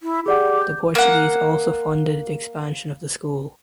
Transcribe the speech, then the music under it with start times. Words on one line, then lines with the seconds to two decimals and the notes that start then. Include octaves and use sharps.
The Portuguese also funded the expansion of the school.
0.03 E4
0.26 G4 G#4 D5 F#5
0.62 G6
0.95 A#3 F#5